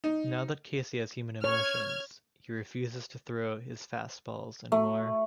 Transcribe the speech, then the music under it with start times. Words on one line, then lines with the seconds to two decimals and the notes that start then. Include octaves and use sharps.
Now that Casey has human emotions, he refuses to throw his fast balls anymore.
0.04 D#4
1.44 C#5 F6 G#6
4.72 A3